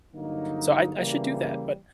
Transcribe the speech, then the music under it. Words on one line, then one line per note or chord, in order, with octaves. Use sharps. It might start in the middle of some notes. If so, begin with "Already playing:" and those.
So I I should do that, but
G2 D3 F#3 A#3 D#4
C#3 E3 G3 A#3